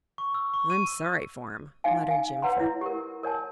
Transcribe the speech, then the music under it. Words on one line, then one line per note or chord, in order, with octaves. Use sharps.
"I'm sorry for him," muttered Jimfred.
C#6
E6
C#6
D#7
D#4 F#4 F5 G#5
F5 G#5
B4 C#5 F#5 A#5 C6
E4 C#5
G4 A#4
A#4 C#5 G#5 A5